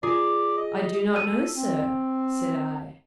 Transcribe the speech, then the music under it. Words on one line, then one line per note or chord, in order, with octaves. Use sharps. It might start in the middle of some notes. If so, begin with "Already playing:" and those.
"I do not know, sir," said I.
F4 G#4 D5
D#5
A4 D#7
C4